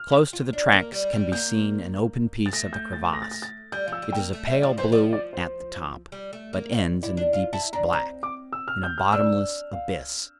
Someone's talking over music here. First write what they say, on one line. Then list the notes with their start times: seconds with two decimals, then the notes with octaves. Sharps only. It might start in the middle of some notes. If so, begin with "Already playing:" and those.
Close to the tracks can be seen an open piece of the crevasse; it is a pale blue at the top, but ends in the deepest black -- in a bottomless abyss.
Already playing: F6
0.12 G4
0.33 F4
0.53 D4
0.72 A#3
0.92 G3
1.13 G3
1.32 A#3 G6
2.46 A6
2.53 A3 A#6
2.73 G6
2.93 A6
3.13 A#6
3.22 A6
3.31 A#6
3.42 A6
3.72 G3 G6
3.88 F3 E6
4.02 G3
4.12 G5
4.18 A#3
4.33 A3
4.47 G3 E5
4.62 F3 D5
4.78 E3 C5
4.92 F3 D5
5.13 D5
5.33 C5
6.12 G3
6.33 A3
6.53 A#3
6.72 C4 D5
7.03 E4 D5
7.17 D4
7.33 F4 F5
7.53 E4 A5
7.73 D4 A#5
7.93 C4 A#5
8.23 D6
8.53 E6
8.68 F6
8.84 G6
8.98 F6
9.12 D4 E6
9.73 F5